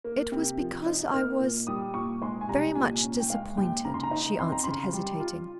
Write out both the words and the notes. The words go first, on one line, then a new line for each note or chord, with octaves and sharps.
"It was because I was--very much disappointed," she answered, hesitating.
A#3
C3
F3
D#4
A#3 F6
A#2
G3 D#6
A#2 C#6
G#3 C6
G#5
C2 A#5
A#2 G#5
C#4
G5
G#3 F5
D#2 G5
C#3 A#5
C6
A#5
D#4
C4 C6
A#5
C#3 C6
G3
F4